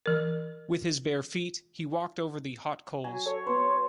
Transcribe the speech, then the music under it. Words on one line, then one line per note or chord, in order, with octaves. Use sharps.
With his bear feet, he walked over the hot coals.
E3 A#4
F#3 G#5
A4 C#5
B3 B4 C5